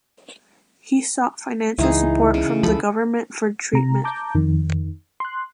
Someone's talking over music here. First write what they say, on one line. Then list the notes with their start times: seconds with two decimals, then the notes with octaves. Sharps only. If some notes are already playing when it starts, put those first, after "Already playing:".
He sought financial support from the government for treatment.
1.78 C#2 E3 D#4 G#4
2.34 C#3
2.63 C#2 F3 A4 B5
3.73 C3 A#5
4.04 A5 A#5 D6 G6
4.35 F2 D#3
5.20 C6 F#6